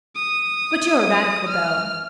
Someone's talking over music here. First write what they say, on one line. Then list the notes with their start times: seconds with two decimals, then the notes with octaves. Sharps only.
But you're a radical, Bell.
0.16 D#6
1.48 F6